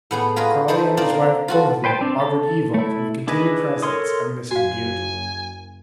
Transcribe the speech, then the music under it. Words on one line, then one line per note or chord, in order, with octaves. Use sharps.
Crawley and his wife both of them augured evil from the continued presence of Mrs. Bute.
A2 B3 G#4
F4 G#4 A#4 B4 D#5
D#4 E4 A4 C5
A#3 C4 D#4 A#4 D5
A#3
F4 F#4 A4
B4 C5 G5 A5
C4 D4
A4
A3 E4
D4 E4 G#4 B4 D#5
A4 A#4 C#5 C6 D#6
F#1 F#4 F5 G#5